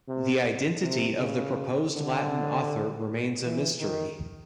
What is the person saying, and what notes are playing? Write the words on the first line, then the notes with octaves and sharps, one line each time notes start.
The identity of the proposed Latin author remains a mystery.
C3
C3
C#3
D3
E3
D#3